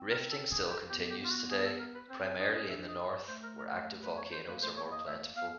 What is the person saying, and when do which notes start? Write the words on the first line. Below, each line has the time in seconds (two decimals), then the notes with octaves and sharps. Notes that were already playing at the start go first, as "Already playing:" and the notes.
Rifting still continues today; primarily in the north, where active volcanoes are more plentiful.
Already playing: C4
0.10 A#4
0.31 A4
0.51 G#4
0.70 G4
0.90 B3 G4
1.10 G4
1.24 F4
1.30 F#4
1.50 G#4
1.65 A4
1.79 A#4
1.94 B4
2.09 C4 C5
2.24 C5
2.39 D4 D#5
2.55 D#5
2.58 C#4
2.69 D4 E5
2.88 D#5
3.09 C#5
3.28 A3 C5
3.43 A#4
3.58 A#4
3.73 C5
4.03 B4
4.17 C#5
4.32 C5
4.47 A#3 B4
4.63 A3 C5
4.77 A#3 C#5
4.92 A#3 D#5
5.07 A3 E5
5.22 A#3
5.37 B3 F5